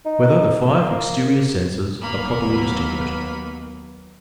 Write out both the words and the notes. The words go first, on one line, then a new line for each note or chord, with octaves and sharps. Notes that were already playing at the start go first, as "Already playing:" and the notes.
Whether the Five Exterior Senses Are Properly Distinguished?
D#4
A#3
D#2 F#3 A#3 B3 B5